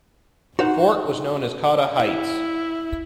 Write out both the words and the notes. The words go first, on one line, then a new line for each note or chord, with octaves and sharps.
The fort was known as Cotta Heights.
D#4 F#4 C5 F#5
E4